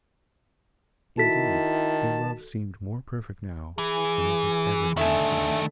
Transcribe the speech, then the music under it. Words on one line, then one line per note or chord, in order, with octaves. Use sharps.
Indeed their love seemed more perfect now than it had ever been before.
D#3 E4 F#4 A4 A5 B6
E3 G#4
D3 D#3 A3 E5 G#5